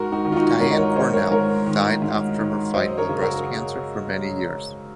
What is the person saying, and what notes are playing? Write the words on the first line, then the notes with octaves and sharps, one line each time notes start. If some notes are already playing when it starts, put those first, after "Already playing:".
Diane Cornell died after her fight with breast cancer for many years.
Already playing: G#2 F#4 A#4
D#4 F#4
D#3
F4
D#4 F#4
G#2 A#4 C#5
D#5
A#4 C#5
D#3 C5 D#5
A#4 C#5
G#2 A#4 C#5
D#3
G#2
D#3
F#2 C5 D#5
A#4 C#5
C#3
F#4 A#4